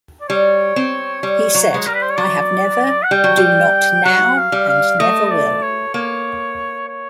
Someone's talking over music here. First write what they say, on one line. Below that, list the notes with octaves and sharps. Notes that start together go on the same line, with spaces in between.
He said: I have never, do not now, and never will.
D5
G3 C#5
C4
G3
F#3
G#3
G3 A#4
B4
C5
C#5
F#3 D5
F#5
G3 G5
F#3
G3
F#3 F#5
F5
G3
F5
A3 D#5
D#5
D5
C#5
A#3 C#5
C#5